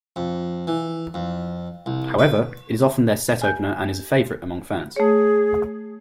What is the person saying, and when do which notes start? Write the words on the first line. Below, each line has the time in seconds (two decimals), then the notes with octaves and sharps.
However, it is often their set opener and is a favorite among fans.
0.16 F2
0.67 E3
1.14 F2
1.86 C2
2.19 B4
3.42 G#5 G6
4.96 A3 G#4 C#5